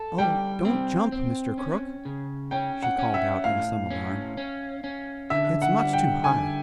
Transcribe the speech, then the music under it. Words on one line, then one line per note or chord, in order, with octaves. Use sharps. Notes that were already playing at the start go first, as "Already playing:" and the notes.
"Oh, don't jump, Mr. Crook," she called out in some alarm; "it's much too high."
Already playing: A4
G3 G5
C4
C4
C#4
C#3
C#4 G5
F#5
C#4
E5
A2 F5
C#4
C#4
C#4
D3 E5
F#5
G3
G5
D3 G#5